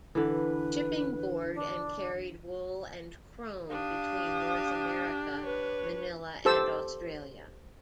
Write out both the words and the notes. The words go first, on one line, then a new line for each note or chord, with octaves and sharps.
Shipping Board and carried wool and chrome between North America, Manila and Australia.
D3 E3 B4
D4
D4 G4 F5 D#6
B4 C#5
G4 A4 C5 A5 E6